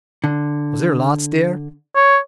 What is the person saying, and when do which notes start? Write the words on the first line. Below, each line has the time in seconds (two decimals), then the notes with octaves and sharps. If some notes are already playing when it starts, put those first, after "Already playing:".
Was there lots there?
0.24 D3
1.96 C#5